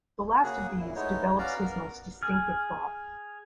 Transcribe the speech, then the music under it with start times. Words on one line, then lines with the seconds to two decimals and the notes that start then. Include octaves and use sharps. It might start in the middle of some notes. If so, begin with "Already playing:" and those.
The last of these develops his most distinctive thought.
0.43 C#3 A#3 F#4 G#4
0.79 F#2 A#2 E4
0.95 G#3 A3 B3 D#4 E4 C#5
1.38 B3 C#4 F#4 D5 F5 A#5
1.60 B3 A#4
2.23 G#4 F6